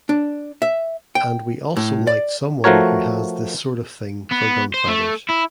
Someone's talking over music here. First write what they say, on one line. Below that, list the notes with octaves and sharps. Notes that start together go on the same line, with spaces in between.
And we also liked someone who has this sort of thing for gunfighters.
D4
E5
G5
A2
D5
F3 A3 F#4 A#4 C#5
B3
C5
A3
E4